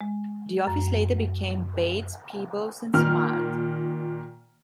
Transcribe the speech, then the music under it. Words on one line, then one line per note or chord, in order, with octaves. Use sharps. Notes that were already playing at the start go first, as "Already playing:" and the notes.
The office later became Bates, Peebles and Smart.
G#3
F#2
A#2 D#3 F6